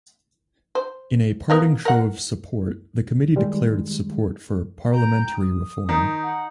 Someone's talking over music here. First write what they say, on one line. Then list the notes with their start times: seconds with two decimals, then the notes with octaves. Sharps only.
In a parting show of support the Committee declared its support for parliamentary reform.
0.75 C5
1.50 B3 A#4 F5
1.85 A#4 F#5
3.36 D#3 G3 G#3
4.91 G5 A#5 G6
5.34 D#6
5.89 D#3 D#4
6.21 F#5